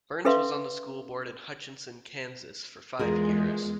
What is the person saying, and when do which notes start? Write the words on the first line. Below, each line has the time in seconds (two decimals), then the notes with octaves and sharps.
Burns was on the school board in Hutchinson, Kansas, for five years.
0.25 C#4 A4 B4 E5 F5 C6
2.99 E2 G#3 F4 G#4 A#4